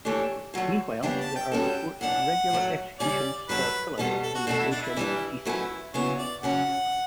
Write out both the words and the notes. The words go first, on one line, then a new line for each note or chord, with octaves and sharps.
Meanwhile, there are reports of regular execution-style killings on the Haitian seaside.
E3 A3 D4 G4 C#5
D3 F#3 A3
C#3 G3 B3 D4 G5
A5
G5
G3 C#4 F#4 A4 G5
F#2 E3 B3 D4 F#5
A2 F#3 A3
C#3 G3 C#4 D5
G2 F#3 A3 B4
E2 B2 G3 B3 A4
A4
F#4
B2 A3 D4 F#4 A4
E4
D4
E4
E3 G3 B3 D4
F#3 A3 C#4 E4 F#4 B4
C#3 F#3 B3 E4 C#5
D5
C#3 F#3 C#4 F#5